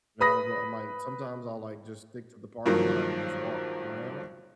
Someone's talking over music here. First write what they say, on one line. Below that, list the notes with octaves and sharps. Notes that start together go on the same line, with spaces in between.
know, I'ma go I might sometimes I'll, like, just stick to the parking lot and just walk around
B4 B5 D#6 A#6
G2 D#3 F3 F#3 A#3